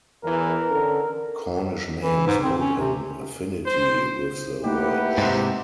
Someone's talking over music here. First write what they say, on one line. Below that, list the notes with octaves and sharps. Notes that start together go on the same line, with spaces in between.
Cornish names hold an affinity with the Welsh.
E2 E3 A#4
D3 C#4 A4
E3
G#2
C4
C#4
C3
C5
A3 A#3 D#4 E4 G4 B4 F#5
G#2 C3